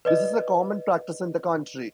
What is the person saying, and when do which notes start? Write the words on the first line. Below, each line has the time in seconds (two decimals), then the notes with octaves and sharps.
This is a common practice in the country.
0.05 B4 D5 D#5